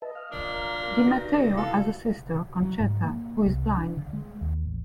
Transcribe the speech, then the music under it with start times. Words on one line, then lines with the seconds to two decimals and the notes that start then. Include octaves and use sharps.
Di Matteo has a sister, Concetta, who is blind.
0.02 B4 D#5 E5 A5
0.15 F5 F6
0.31 F3 A#3 D4
0.52 A#4
1.07 G2 D#4 F#4 A#6
1.56 B3 E4 F#4 A4 F5
2.62 F#3
2.80 G#2
3.03 A#3
3.46 C2
3.77 D4
3.97 D3
4.13 G#3
4.41 D#2
4.65 A1